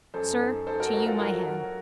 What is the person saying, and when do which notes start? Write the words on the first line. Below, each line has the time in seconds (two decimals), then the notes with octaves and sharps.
Sir, to you my hand.
0.14 F#2 A4 C5
0.40 D#4
0.67 D#4 A4 C5
0.80 F#4 A#4
0.93 D#4 F#4
1.06 F4 A4
1.20 F#3 F#4 A#4
1.47 F#3